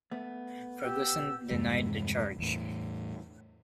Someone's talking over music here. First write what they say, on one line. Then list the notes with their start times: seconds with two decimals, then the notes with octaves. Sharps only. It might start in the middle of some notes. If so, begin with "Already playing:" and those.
Ferguson denied the charge.
0.11 A3 B3
0.81 G4 E6
1.51 E2 G2 C3 G#3
2.39 E2 A2